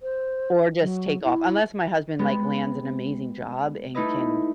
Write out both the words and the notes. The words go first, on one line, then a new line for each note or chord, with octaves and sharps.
or just take off. Unless my husband, like, lands an amazing job and can
C5
F#3
E4
G#3 B3 G4
A3 D#4 E4 B4 D#5